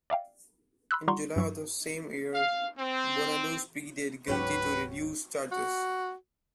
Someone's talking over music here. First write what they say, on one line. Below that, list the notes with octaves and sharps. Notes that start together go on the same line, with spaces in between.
In July of the same year, Bonaduce pleaded guilty to reduced charges.
D5 E5 F5 G5
B5 C6 E6 F#6
G3 F4 F#5 A#5 C6 C#6
G2 F#3 C#6
F5
C4
D1 G#2 F#3 C#4 F#4 G4 B4
F#4